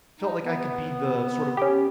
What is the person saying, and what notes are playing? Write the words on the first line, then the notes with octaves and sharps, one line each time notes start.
felt like I could be the, sort of,
D#4
B3
C#4 G4